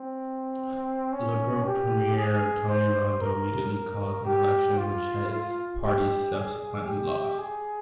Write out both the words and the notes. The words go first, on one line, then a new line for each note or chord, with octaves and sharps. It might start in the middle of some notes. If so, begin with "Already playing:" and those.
Liberal Premier Tony Rundle immediately called an election, which his party subsequently lost.
Already playing: C4
C#4
G4
G#4
C5
A#4
A#4
G4
F4
F4
G4
G#4
G4
G#4